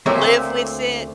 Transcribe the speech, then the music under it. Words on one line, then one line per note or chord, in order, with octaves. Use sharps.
live with it,
D2 A3 A#3 C4 C#5 E5